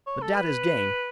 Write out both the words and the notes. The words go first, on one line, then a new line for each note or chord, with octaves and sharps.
But dad is game.
C#5
A4
B4